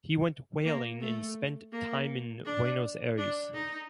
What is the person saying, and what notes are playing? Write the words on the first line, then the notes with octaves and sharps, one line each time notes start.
He went whaling and spent time in Buenos Aires.
A#3
A3
A#3
D4
D4
D#4